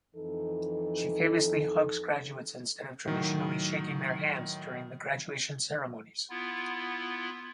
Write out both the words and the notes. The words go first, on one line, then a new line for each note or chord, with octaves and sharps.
She famously hugs graduates instead of traditionally shaking their hands during the graduation ceremonies.
F2 E3 D#4 A4
A2 D#3 F#3
B3 E4 F4